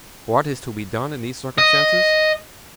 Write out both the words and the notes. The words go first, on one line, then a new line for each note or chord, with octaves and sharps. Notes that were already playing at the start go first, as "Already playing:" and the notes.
What is to be done in these circumstances?
D#5